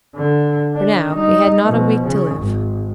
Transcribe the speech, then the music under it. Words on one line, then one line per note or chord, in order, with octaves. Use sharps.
For now he had not a week to live.
D3
D4
G3 D#4
B2 F3
C#3
G#1